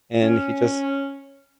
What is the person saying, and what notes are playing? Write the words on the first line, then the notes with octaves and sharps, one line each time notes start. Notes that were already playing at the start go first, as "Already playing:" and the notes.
and he just
C#4